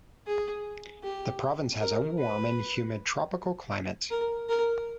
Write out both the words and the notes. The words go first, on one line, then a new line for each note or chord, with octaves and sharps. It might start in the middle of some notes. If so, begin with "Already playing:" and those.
The province has a warm and humid tropical climate.
G#4
G4
A#4
B4
A#4
A#4